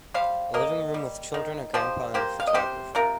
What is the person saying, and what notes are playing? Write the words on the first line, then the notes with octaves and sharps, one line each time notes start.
A living room with children a grandpa and a photographer.
G3 C5 F5
A#3 A#4 D#5
G3
D#3
F3 G4 C5
A#3 G4 C5
F5
D#5
C3 G4 C5
C3 F4 A#4